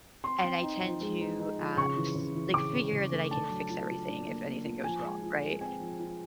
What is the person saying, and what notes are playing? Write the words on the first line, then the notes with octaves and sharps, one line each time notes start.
And I tend to, uh, s like, figure that I can fix everything, if anything goes wrong, right?
C4 C6
C4
D#4
F3
G#3
D#4
D#4
F3
C#3 C#6
E3
C#3
E3
C#3 D6
C#3
C#3
A3
D4 A5
F#3
F4
F4
D4
A#3
A#3
F4
F3 G#5
G#3
F4
G#3
C4 G#5
F3
F4